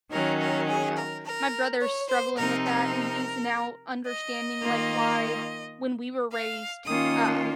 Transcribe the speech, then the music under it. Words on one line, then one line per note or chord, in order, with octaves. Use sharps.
Yeah, no. My brother's struggling with that, and he's now understanding, like, why, when we were raised, uh,
D#3 F#3 C#4 A#4
A#4
G#4
A#4
A#4
C#5
C5
C3 F3 C4 D#4 A#4
A#4
D#5
D#3 A#3 F4
F5
D#3 A#3 C#4 F4 D#6